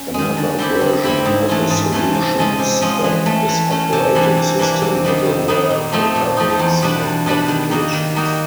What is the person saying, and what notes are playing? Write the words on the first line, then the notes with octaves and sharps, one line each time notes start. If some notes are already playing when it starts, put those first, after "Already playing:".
Another version of a solution stack is operating system, middleware, database, and applications.
Already playing: C#4
D#3 G#3
D3
G3 C4 E4 G4
D3
G3 C4 E4 G4
G#2
E3 A3 C#4 F4
G#2
E3 A3 C#4 F4
C3
F3 G#3 C#4 F4
C3
F3 G#3 C#4 F4
E3
A3 C#4
E3
A3 C#4
C3
E3 G3 A#3 D4
C3
E3 G3 A#3 D4
C3
D#3 G3 B3 D#4
C3
D#3 G3 B3 D#4
A#2
F3 A3 C4 D#4
A#2
F3 A3 C4 D#4
E2
B2 G3 B3 D4
E2
B2 G3 B3 D4
D#3
G3 A#3 D#4 F#4
D#3
G3 A#3 D#4 F#4